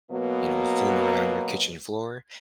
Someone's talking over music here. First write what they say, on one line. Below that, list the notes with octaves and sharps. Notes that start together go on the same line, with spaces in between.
you know, zoom around your kitchen floor.
B2 F#3 A#3 B3